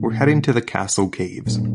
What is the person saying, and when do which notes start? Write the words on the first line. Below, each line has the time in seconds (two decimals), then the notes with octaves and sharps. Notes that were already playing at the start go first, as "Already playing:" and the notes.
We’re heading to the castle caves.
Already playing: A#2 A3 D4
1.46 A#2 G3 A#3 D4